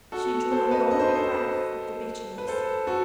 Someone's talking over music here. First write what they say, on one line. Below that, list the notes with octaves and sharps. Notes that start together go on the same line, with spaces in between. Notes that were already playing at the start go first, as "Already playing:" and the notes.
She drew a long breath of the bitterness.
F#4 A4
A4 C5
B4 D#5
D#5
C5
B4
A4 C5
B4
A4 C5
F#4 A4